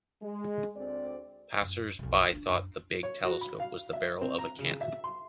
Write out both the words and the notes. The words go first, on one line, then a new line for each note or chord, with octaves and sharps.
Passers-by thought the big telescope was the barrel of a cannon.
G#3
D2 C4 D5
F#2 F4
B1 F2
D4 F4
F#2
C#5
F#4
B5
F5
E5
C4
A#5
C#3
E5
C6